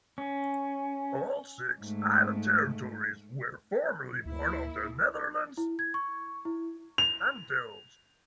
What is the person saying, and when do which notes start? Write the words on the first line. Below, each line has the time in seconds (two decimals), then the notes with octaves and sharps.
All six island territories were formerly part of the Netherlands Antilles.
0.18 C#4
1.81 G#2 A3
4.26 D2 A#3 E4
5.57 E4
5.79 G#6
5.94 C#6
6.45 E4
6.98 F7